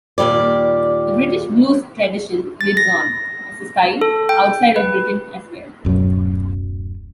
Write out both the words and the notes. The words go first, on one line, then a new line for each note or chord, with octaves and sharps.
The British blues tradition lives on, as a style, outside of Britain as well.
D#2 A#2 F3 G3 D5
A6
A#6
A4
G5
B4
D1 F#2 B2 F#3